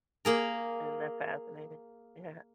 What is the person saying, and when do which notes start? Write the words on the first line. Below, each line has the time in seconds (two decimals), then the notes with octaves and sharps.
Isn't that fascinating? Yeah.
0.25 A#3 G#4 A#4